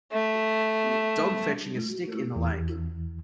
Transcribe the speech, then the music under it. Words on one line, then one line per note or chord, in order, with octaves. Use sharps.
Dog fetching a stick in the lake.
A3
E2 E3